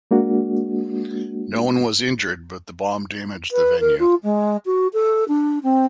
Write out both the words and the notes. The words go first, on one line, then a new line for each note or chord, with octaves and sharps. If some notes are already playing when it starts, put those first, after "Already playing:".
No one was injured, but the bomb damaged the venue.
G#3 A#3 D4 F#4
B4
A#4
F4
G#3
F#4
A4
D4
C4